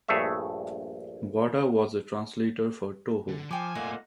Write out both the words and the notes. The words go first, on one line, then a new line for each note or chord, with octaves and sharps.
Wada was a translator for Toho.
A#1 G2 A3 G#4 C#5 E5
D3
F3 G5 G#5 D6
A3 A#3 D#4 F4 F#5